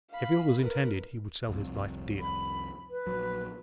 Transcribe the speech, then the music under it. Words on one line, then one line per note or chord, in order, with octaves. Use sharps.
If ill was intended, he would sell his life dear.
F5 B5
A#4 B4
C2 F2
B5
B4
A#1 F#3